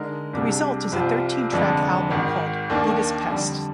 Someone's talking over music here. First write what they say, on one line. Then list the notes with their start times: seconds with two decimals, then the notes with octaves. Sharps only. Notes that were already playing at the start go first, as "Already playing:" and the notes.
The result is a thirteen-track album called "Buddha's Pest".
Already playing: D3 G#3 D#4 A#4
0.33 C2 C3 G3 D4 G#4
0.92 C2 C3 F3 C4 F4
1.52 F1 F2 D3 G#3 D4
2.11 G#1 G#2 D#3
2.70 D#2 D#3 A#3 D4
3.30 F2 D3 G3